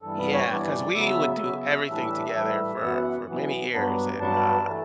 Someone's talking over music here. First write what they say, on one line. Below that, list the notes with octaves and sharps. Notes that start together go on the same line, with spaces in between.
Yeah, 'cause we would do everything together for for many years and, uh,
G2 E3 G3 B3 A4
B4
C#5
G2 E3 G3 B3 D5
C#3 F#3 B3 E5
C#3 F#3 B3
A2 E3 G3 D4 E5
A2 E3 G3 D4
F#2 E3 B3 F#5
F#5
F#2 E3 B3
G2 F#3 B3 D4
G2 F#3 B3 D4 A5
E3 A3